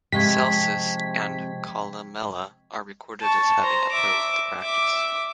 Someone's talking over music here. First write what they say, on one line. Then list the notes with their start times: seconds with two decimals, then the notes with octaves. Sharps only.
Celsus and Columella are recorded as having opposed the practice.
0.12 C3 F3 G#3 D#5 G5 C#6 G#6 B6
3.21 A5 C#6
3.61 C5 A#5
3.92 E5 D6
4.62 E5 D6